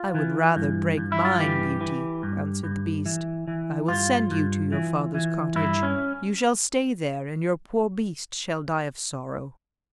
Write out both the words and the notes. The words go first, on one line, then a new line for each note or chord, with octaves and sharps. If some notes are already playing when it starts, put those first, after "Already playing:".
"I would rather break mine, Beauty," answered the beast; "I will send you to your father's cottage: you shall stay there, and your poor beast shall die of sorrow."
Already playing: F4
E3
G2
G2
E4
F4
E3 G4
E3
G2
G2
E3
E3
G2 F4
G2
E3
E3
G2 E4
C#4